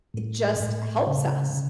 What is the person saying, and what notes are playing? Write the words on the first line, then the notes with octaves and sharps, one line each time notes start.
it just helps us.
A2
A2
C#3
C#3